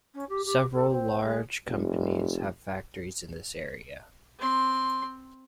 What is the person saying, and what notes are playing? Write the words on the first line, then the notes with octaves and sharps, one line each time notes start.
Several large companies have factories in this area.
C#4
G4
G4
A4
C4
G#3
F1
C4 C6